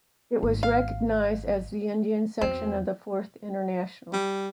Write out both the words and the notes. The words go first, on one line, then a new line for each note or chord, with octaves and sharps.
It was recognized as the Indian section of the Fourth International.
G#1
F5
E2 F#3 C4
G3